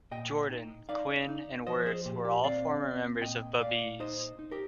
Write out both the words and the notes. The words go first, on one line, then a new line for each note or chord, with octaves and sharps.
Jordan, Quinn and Wirth were all former members of Babeez.
A#2 D#5 G5
D#4
D#4 D5 F5
D#4
F3 C5 D#5
G#4 C5
A#2 G4
G4
C4 D5 F5
C4
A#2 D#5 G5
A#2 D5 F5
D#4 C5 D#5
D#4
G4 A#4